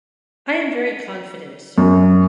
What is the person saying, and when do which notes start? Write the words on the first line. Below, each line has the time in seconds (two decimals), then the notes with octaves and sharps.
I am very confident, Sir.
1.78 F#2